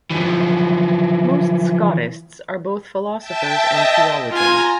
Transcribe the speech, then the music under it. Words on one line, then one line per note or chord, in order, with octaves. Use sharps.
Most Scotists are both philosophers and theologians.
E3 F3
E5 G5 A5
D#5
F4 G#5 A#5